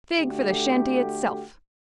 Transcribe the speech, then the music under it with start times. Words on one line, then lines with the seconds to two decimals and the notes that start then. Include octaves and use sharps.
A fig for the shanty itself!
0.20 D3 A3 F#4 G4